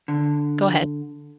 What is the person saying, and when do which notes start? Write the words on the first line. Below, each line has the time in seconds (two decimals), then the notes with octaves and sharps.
Go ahead.
0.08 D3